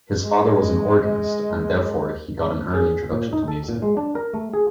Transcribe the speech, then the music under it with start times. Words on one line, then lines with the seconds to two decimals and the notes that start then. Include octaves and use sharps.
His father was an organist, and therefore he got an early introduction to music.
0.23 G#3 D#5
2.74 G#4
3.12 A#2
3.33 D#4
3.48 A4
3.69 A#2
3.82 G#3
3.97 D4
4.15 A#4
4.34 A3
4.53 G#4